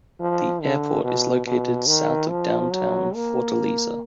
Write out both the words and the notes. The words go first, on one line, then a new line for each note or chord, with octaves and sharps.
The airport is located south of downtown Fortaleza.
F3
D3
B2
B2
D#3
F3
F#3
A#3